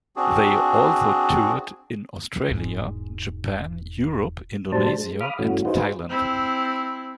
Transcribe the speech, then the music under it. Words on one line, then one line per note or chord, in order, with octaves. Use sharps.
They also toured in Australia, Japan, Europe, Indonesia, and Thailand.
C4 D4 F#4 G#4
E1 G#2
A2 F#3 G3 D4 C5 A5
G#3
F5 B5 D6 D#6 F6
G2 E3 A3 C#4 F#4
D#4 F4 F#4 G#4 B4 C5
C4 E4